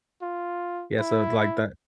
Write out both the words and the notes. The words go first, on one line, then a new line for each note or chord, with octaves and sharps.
Yes, I would like that.
F4
E4